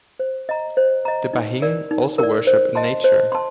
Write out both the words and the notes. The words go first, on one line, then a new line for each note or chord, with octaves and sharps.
The Bahing also worship in Nature.
C5
D#5 A#5
C5
D#5 A#5
D#4
A#4 D5
D#4
A#4 D5
C5
D#5 A5 C6
C5
A5 C6